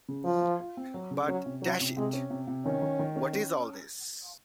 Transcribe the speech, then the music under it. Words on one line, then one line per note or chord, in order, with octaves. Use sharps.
But, dash it, what is all this?
C#3
F3 F#3
F4
F4
C4
F#3
C#3
F#3 C#4
C3
F#3 C#4
C3
C3 G#3
C#4
C3
C3
D#3 C#4
D#3
D#3
C#4
C#4